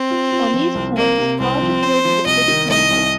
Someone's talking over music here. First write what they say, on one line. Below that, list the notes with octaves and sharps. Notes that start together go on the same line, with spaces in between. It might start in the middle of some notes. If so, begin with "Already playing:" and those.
On these points, Hodge appealed to the Privy Council.
Already playing: C4
F4
F4
F3
C2
A#3 C4
C3
C2 C4
F3
C4 C5
F3
C2 D#5
D#3
C2 D#5
C2